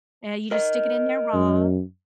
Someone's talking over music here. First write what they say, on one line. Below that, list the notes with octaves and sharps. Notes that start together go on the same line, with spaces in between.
Eh, you just stick it in there raw
A#4 D#5
F#2